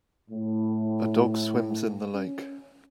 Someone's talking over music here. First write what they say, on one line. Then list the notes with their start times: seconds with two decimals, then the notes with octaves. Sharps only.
A dog swims in the lake.
0.30 A2
2.14 C#4